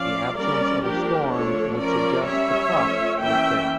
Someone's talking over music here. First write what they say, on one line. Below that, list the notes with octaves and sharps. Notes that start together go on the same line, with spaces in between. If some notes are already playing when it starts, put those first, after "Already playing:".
The absence of a storm would suggest the crops would fail.
Already playing: F3 C#4 D5 F5
G3 A#3 C#4 A#4 D5
F3 A#3 D4 G4 A#4
F3 A3 D4 A4 C#5
F3 C#4 A#4 D5
G3 C#4 C#5 E5
F3 A3 C#4
E3 A#3 C#4 E5 G5